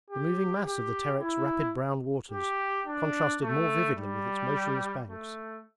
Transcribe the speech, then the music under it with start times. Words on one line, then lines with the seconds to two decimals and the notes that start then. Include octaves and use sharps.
The moving mass of the Terek's rapid brown waters contrasted more vividly with its motionless banks.
0.10 G4
0.65 G4
1.21 E4
2.32 G4
2.87 D4
3.42 A3
3.97 G3
5.08 A3